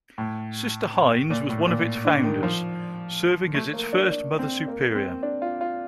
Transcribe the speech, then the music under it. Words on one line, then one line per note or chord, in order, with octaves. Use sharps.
Sister Hynes was one of its founders, serving as its first mother superior.
A2
A#2
A2
A#2
D3
D#3
F3
A3
A#3
D4
D4
C4
A#3
C4
D4
F4
F4